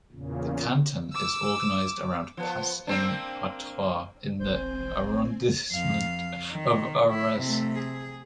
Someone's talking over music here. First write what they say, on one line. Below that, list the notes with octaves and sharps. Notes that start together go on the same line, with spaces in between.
The canton is organised around Pas-en-Artois in the arrondissement of Arras.
E2 A#2 C#3
D6 E6
F3 B3
A#3 C4 D4
E1 A#1 C4 C5 G#5
F2 F5
D#3
E4
C3 A3
G#4